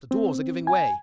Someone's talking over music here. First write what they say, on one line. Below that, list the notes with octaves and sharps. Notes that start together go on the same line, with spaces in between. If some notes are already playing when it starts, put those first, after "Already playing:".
The doors are giving way.'
C4
G#5